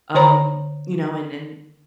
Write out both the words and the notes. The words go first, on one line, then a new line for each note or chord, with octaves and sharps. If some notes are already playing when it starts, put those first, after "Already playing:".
um, you know? And and
D3 C5 C#5 A#5 B5